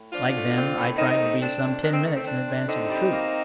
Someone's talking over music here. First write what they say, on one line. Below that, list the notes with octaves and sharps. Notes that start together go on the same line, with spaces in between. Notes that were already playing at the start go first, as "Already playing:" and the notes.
Like them I tried to be some ten minutes in advance of the truth.
Already playing: A2
F3 D4 F4
A3
C4
A2
D#3 C4 D#4
A3
C4 D4
F2
D#3 D4
C4
A3
C4
C4 D4
F2
D3 C4 D#4
G3
A#3